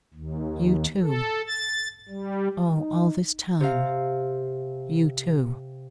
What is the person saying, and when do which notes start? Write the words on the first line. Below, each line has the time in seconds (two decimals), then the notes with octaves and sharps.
"You too--oh, all this time, you too?"
0.14 D#2
1.02 A4
1.47 A6
2.09 G3
2.71 D#4
3.60 C3 F5